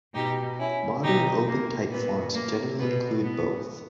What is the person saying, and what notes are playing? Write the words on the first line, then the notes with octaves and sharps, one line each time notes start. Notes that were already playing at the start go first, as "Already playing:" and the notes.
Modern OpenType fonts generally include both.
B2 D#4 G4
C#4 E4
B2 D#4 G4
A#3
A#2 B3
A#3
B2 B3
B3